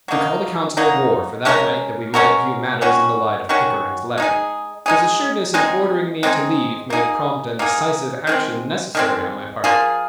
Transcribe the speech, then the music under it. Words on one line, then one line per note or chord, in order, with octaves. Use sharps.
We called a council of war for that night that we might view matters in the light of Pickering’s letter. His assuredness in ordering me to leave made prompt and decisive action necessary on my part.
F#3 A#3 D#4
F#3 A#3 D#4
G#3 C#4 F#4 A#4
G#3 C#4 F#4 A#4
D#3 F#3 C#4 F#4
D#3 F#3 C#4 F#4
G#3 D#4 G#4
G#3 D#4 G#4
G#3 C4 D#4 G#4
G#3 C4 D#4 G#4
A#3 D#4 G#4
A#3 D#4 G#4
D#3 G#3 C4
D#3 G#3 C4
F3 A#3 F4 G#4